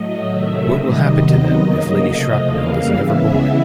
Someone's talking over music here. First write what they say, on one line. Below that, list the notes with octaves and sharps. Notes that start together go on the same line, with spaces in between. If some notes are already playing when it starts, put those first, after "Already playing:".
What will happen to them if Lady Schrapnell is never born?
Already playing: A2 F#3 A3 D#5
C3 D#3 F#3 A3 E5
C3 D#3 G3 D#5
C3 D#3 F#3 B3 D#5
C#3 F#3 A#3 D#5
C3 F3 A3 D#5
C#3 E3 G3 A#3 F5
C#3 E3 G#3 B3 E5